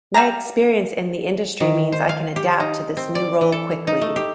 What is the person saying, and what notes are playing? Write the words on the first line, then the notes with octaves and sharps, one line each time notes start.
My experience in the industry means I can adapt to this new role quickly.
G3 E5 F5 A#5
D#3
C5
F5
G4
D#4
C4
D5
E3
A4
D#4
A3
G4